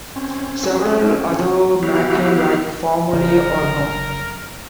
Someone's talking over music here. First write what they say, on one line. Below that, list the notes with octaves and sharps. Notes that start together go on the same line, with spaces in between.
Several other Machin-like formulae are known.
C4 C#4
B3 E4 F#4 G4 F5
F#1 C#3 A#4